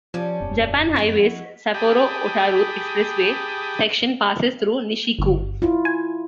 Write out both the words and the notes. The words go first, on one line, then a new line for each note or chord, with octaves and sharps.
Japan Highway's Sapporo-Otaru expressway section passes through Nishi-ku.
F3 G3 C#4 D5 A5
E1 F#2
F2 E4 F#4 D#5
G4 G#4 G5 A5 B5 D#6
G1
E4 F4
G#5